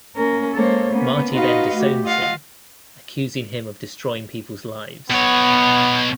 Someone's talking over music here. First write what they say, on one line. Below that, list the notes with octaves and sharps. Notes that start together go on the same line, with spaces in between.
Marty then disowns him, accusing him of destroying peoples' lives.
A#3 C#4 A#4
G#3 A#3 A4 C5 C#5
A#3 B3 C#4
D#4 F4 F#4 B4 D#5 F5
A3 F#4 G4
F4 D#5 F5 F#5
B2 B3 C#5